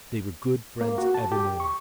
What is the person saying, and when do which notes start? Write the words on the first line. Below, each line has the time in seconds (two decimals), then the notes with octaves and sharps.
They were good friends evermore.
0.81 A#3
0.98 F#4
1.14 A5
1.32 G4
1.60 C#6